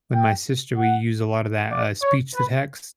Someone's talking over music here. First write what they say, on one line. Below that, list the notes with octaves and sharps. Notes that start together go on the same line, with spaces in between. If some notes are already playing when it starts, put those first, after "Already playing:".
With my sister, we use a lot of that, uh, speech to text
G5
F#5
D5
C#5
B4